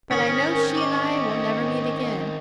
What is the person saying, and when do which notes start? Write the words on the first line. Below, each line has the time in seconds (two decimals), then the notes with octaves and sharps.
But I know she and I will never meet again.
0.11 D#3 C4 C#4 A#4 G#5 C#6 D#6
0.77 D#5 C#6 D6